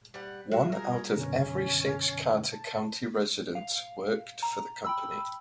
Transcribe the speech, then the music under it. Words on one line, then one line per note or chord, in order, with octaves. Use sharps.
One out of every six Carter County residents worked for the company.
G3 F#5
G3 G#3 F4 F#4 E5
G#4 A#4
F#2 B2 D3 C#4
A5
F5
A#5
G5 B5 E6